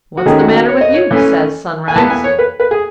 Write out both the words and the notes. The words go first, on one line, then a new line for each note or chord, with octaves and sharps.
"What's the matter with you?" says Sunrise.
F#4
D#3 A3 C#4 G#4
F#4
F#4
C#5
D#5
C#5
E3 A3 C#4
G#5
E3 B3 A5
G#5
C#5
B4
B4
G#4